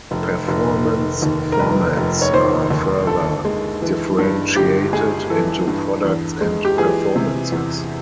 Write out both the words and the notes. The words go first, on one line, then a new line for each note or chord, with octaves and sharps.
Performance formats are further differentiated into products and performances.
F1
F1
D#3
D#2
A#4
F1 B4
F1
C#5
D#3 C5
D#2
G1 A4
G#3
E3
G2
G1 G4
G#3 G#4
E3 A4
G2
E2
G#3
G4
E3 G#4
C3
E2